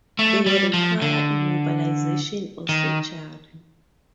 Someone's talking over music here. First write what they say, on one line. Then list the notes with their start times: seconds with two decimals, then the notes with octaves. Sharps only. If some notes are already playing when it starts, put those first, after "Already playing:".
They require immobilization or surgery.
0.19 A3
0.46 G3
0.74 F3
1.02 D3
2.69 D#3